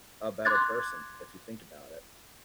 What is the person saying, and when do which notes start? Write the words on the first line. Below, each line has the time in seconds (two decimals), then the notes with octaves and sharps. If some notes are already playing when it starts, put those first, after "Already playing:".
a better person, if you think about it.
0.45 C6 D6 F#6 G#6 A6